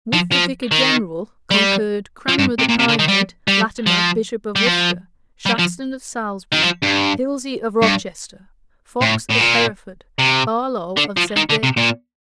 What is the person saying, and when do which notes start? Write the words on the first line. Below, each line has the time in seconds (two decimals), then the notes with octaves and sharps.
With the vicar-general concurred Cranmer the primate, Latimer, bishop of Worcester, Shaxton of Salisbury, Hilsey of Rochester, Fox of Hereford, Barlow of St. David's.
0.13 F3
0.32 F3
0.72 D#3
1.51 G3
2.29 F3
2.39 G2
2.59 C3
2.69 A#2
2.79 C3
2.88 D3
2.99 D#3
3.08 G3
3.48 G3
3.87 F3
4.56 G3
4.66 F3
5.46 G3
5.59 F3
6.53 D#3
6.64 F3
6.83 G2
7.82 G2
9.01 A2
9.29 A2
9.40 A#2
10.19 C3
10.97 D3
11.17 F3
11.37 D#3
11.50 D3
11.63 C3
11.77 A#2